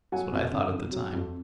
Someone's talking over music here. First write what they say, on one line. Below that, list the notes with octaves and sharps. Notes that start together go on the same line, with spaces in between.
That was what I thought at the time.
F#3 F#5 G#5
F2
D3
F2
F#3
F2